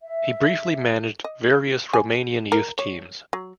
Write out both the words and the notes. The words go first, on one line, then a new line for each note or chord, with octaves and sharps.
He briefly managed various Romanian youth teams.
E5
D#5
G#5
A#4
C#5
F#3